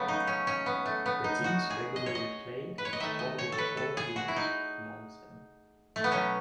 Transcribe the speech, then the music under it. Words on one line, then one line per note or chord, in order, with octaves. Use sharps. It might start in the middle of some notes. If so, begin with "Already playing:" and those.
The teams regularly play a total of four games amongs them.
Already playing: C#3 F#3 A3 B3
D#4
C#4
C#4
B3
A3
B3
D#4
F#4
G#4
D#5
C#5
D#5
B4
C#5
D#5
D#3 A3 E5
D#5
C#5
A4
B4
A4
G#4
F#4
E4
D#4
A3
B3
B2 F#3 A3 C#4